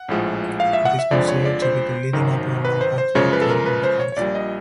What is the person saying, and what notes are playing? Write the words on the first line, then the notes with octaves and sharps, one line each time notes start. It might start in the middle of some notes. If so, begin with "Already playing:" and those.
It is considered to be the leading apparel manufacturing firm in the country.
Already playing: F#5
A#1 A2 F3 G#3
F5
E5
F#5
E5
F2 D3 F3 G#3 D5
C#5
D5
C5
G#1 F#2 D#3 F#3
B4
C5
C5
F#2 C#3 F3 G#3 C#5
B4
A4
A#4
B4
C5
C#5
C#5
A#1 A#2 G3 D5
D#5